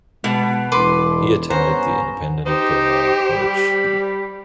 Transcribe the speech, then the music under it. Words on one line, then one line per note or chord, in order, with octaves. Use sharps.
He attended the independent Beaumont College.
B2 G#3
E1 B4 C6 D6
G2 B3 C#4 C5 F#5 A#5
D#4 G4 C5
G3 B5